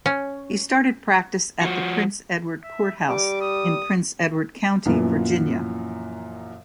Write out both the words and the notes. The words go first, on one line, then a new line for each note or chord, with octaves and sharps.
He started practice at the Prince Edward Court House in Prince Edward County, Virginia.
C#4
F3 F#4
E5
G3 D6
D#6
F#2 A#2 E3 F3 A#3 B3